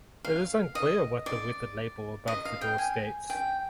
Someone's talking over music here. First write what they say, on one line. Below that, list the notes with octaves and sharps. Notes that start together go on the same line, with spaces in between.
It is unclear what the weathered label above the door states.
F5
D#5
D5
D#5
F5
G5
G#5
G5